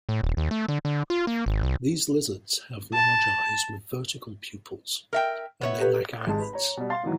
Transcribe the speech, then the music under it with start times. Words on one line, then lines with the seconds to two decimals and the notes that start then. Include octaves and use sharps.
These lizards have large eyes with vertical pupils, and they lack eyelids.
0.09 A2
0.23 D#1
0.37 D#2
0.51 A3
0.68 D3
0.85 D3
1.10 F4
1.27 A#3
1.46 G#1
1.63 C2
2.94 A5
5.13 A#4 E5 G5
5.61 B3 C#5 E5
5.80 G4 A4 B4
6.27 G#1 G#3 A5
6.39 B4 B5
6.53 C#5 A#5
6.77 B2 G3
6.90 F5 C6 A6
7.03 A2 D#3 E3 F#3